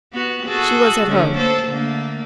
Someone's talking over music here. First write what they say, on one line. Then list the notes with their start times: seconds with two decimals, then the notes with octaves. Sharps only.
She was at home.
0.13 B3 F#4
0.46 F#4 G#4 A4
1.06 D3 A3 C#4
1.37 A#3 A4 C5
1.68 D3 A3 A#3